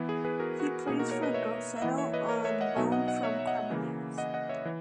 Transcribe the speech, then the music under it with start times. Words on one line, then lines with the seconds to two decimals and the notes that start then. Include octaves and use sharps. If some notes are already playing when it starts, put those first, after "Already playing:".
He plays for Grosseto on loan from Cremonese.
Already playing: E3 B3 E4
0.09 G#4
0.24 G#4 B4
0.40 F#4 A#4
0.60 F#4
0.63 G#4
0.87 B2 A#3 D#4 G#4
0.99 F#4 A#4
1.11 A#4 C#5
1.22 B4 D#5
1.34 C#5 E5
1.76 E5
1.82 E3 A#3 E4 D#5 F#5
1.98 C#5 E5
2.13 B4 D#5
2.29 A#4 C#5
2.45 C#5 E5
2.61 D#5 F#5
2.76 B2 F#3 B3 D#4 E5 G#5
2.92 D#5 F#5
3.08 D#5 F#5
3.23 C#5 E5
3.39 E5
3.47 D#5 F#5
3.70 C#3 E3 A#3
4.18 D#5 F#5
4.34 D#5 F#5
4.49 C#5 E5
4.65 E3